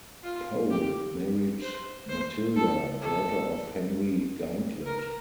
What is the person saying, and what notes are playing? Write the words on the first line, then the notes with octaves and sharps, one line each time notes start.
Pole married Matilda, daughter of Henry Gauntlett.
F4
G4
C5
C5
A4
A4
A#4